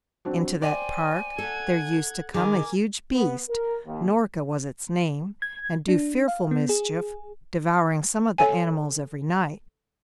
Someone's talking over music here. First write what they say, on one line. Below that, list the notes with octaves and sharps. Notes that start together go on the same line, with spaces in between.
Into that park there used to come a huge beast--Norka was its name--and do fearful mischief, devouring some of the animals every night.
F#3 C4 D4
C5 D5 G5 G#5
A4 F#5 G#6
D#3 G#4 A#4 G#5 D6
B3
A#4
D#2
G#6
D4
F5
B3
G#4
A4 C#5 G#5